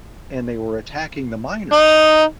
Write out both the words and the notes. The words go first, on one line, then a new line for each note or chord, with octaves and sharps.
and they were attacking the miners.
D#4